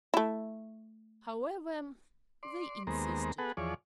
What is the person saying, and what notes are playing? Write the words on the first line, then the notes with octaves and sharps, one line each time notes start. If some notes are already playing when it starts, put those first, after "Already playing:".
However, they insisted.
A3 E4
D5 C6
D#2 G#3 A#3 B3 C5 A#5
B3 G#4 A4 B4 F#5
E2 F3 G#4 C#5 D5